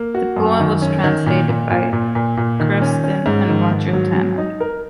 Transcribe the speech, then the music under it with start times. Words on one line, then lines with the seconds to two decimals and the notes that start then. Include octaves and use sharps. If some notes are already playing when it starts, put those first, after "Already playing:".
The poem was translated by Kerstin and Roger Tanner.
Already playing: A#3
0.15 F#4
0.37 F#2
0.60 D#3
0.82 C#4
1.04 D#3
1.26 A#2
1.49 A#2
1.71 A#2
1.93 A#2
2.15 A#2
2.37 A#2
2.60 D#3
2.82 C#4
3.04 C#4
3.26 G#2
3.49 D#3
3.71 G#2
3.93 F#3
4.15 F#3
4.38 D#4
4.60 A#4